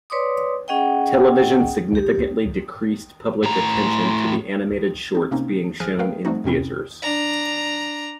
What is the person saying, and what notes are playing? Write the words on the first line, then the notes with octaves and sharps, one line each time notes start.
Television significantly decreased public attention to the animated shorts being shown in theaters.
B4 C#5 D5 C6 D6 D#6
C#4 G#4 D#5 F#5 G5
G4
A2 A#5
C4 D#4
C3 A#3 C4 C#4 D#4
G#1 F3 G#4 G#5 F6 F#6
A3 A#4 B4 F5 G5
F3 G3 A3 C4 D#4 F#4
F2 C3 C4 C#4 E4
D4 A#5